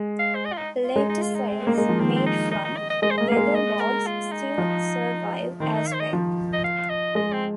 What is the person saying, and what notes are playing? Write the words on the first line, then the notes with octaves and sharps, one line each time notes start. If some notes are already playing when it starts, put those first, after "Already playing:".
Later cells, made from weatherboards still survive as well.
Already playing: G#3
F5
C5
D#5
F4
D#4
F4
G#3 D#4
D#4
F4
D#4
C4
A#3
G#3 D#4
F3
D#3 C4
C4
D#4
D#4
D#4
D#5
D#5
G#3 D#5
C5
A#3 D#5
A#3 F5
G#3
D#5
A#4
F4
D#4
F3
D#3 C4
D#4
F5
C5
D#5
F3
D#5
F5
D#5
G#3 D#5
C4